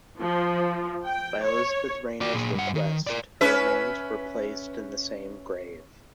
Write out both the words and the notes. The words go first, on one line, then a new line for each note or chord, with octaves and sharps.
By Elizabeth Rayner's request, her remains were placed in the same grave.
F3
G5
C#5
F#4 D5
A#2 G#4
G2 F#5
D#3
A#4 D5
C#4 B4 E5